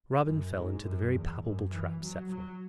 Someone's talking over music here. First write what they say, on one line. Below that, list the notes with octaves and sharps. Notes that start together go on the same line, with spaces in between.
Robin fell into the very palpable trap set for him.
F#2
G#2
F#2
E2
F#2
E3
F#3
F#3